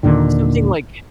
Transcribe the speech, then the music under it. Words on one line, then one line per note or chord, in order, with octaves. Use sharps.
something, like,
D#2 A#2 D3 D#3